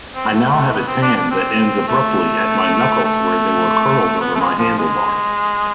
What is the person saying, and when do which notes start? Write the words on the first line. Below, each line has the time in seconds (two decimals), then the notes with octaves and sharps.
I now have a tan that ends abruptly at my knuckles where they were curled over my handlebars.
0.15 C4
0.35 A3
0.53 A3
0.73 B3
0.87 C4
1.02 D4
1.16 D4
1.31 C4
1.88 A3
3.05 A3
4.20 B3
4.35 A3
4.40 G#3
4.58 F3
4.78 G#3